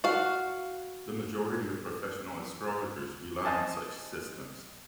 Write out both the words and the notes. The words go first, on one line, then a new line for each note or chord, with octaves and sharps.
The majority of professional astrologers rely on such systems.
F#4 F5
C5 D#5 G#5 A5